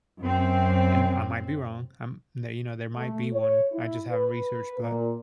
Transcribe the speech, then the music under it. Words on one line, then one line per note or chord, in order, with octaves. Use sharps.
and I might be wrong. Um, there, you know, there might be one. I just haven't researched, but
F#2 C4
A3
C#5
E4
B4
A#2